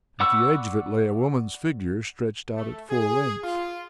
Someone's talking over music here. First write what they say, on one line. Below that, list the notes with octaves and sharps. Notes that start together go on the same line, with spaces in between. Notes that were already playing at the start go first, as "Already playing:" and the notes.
At the edge of it lay a woman's figure stretched out at full length.
D5 F#5 B5 C#6 E6
A3
G#4
F4